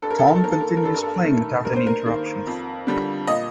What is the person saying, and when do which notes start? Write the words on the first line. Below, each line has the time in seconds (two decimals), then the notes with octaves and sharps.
Tom continues playing without any interruptions.
0.02 G2 A4
0.11 A#4
0.18 A4
0.27 A#4
0.35 A4
0.43 D#3 A#3 A#4
0.52 A4
0.61 A#4
0.69 A4
0.77 A#4
0.83 G2 A4
0.94 A#4
1.02 A4
1.25 D#3 A3
1.65 G2 A#4
1.76 C5
1.87 A#4
2.06 D#3 A#3
2.47 F2
2.87 D3 G3
3.27 A#2 D#5